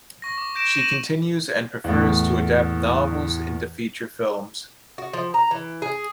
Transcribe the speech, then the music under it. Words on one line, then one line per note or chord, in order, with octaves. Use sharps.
She continues and prefers to adapt novels into feature films.
C#6 A#6
D6
G6 A#6 D7 E7
A#6 D#7 E7 F#7
E2 A2
F#4
F3
A#5
E3
G#4